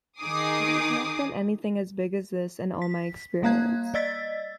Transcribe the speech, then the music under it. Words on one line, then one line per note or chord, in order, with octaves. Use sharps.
There's not been anything as big as this in all my experience.
D#3 D#4 G#4 D6 D#6 C7
B6
G3 A#3 F5 A#5 F#6 G#6
D5 D#5 E6 A6 B6